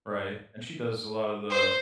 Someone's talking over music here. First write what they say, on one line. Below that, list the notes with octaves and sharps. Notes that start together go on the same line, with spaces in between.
Right. And she does a lot of the
C5